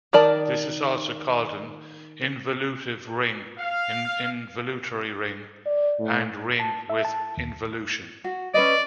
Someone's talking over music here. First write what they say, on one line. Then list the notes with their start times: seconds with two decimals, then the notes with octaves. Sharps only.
This is also called an involutive ring, involutory ring, and ring with involution.
0.13 D#3 A#4 D5 A5
3.58 F5
5.66 D5
5.99 A2
6.60 A5
6.90 E5
7.05 A5
7.37 D#2
8.24 F#4
8.54 C#4 B4 D5 D#5